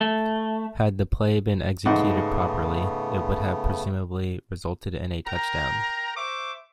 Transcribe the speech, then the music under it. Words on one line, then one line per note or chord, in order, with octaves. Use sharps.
Had the play been executed properly, it would have presumably resulted in a touchdown.
A3
G#2 C#3 A3 B3 F#5
A#4 G5 A#5
C5 E5 C#6 D6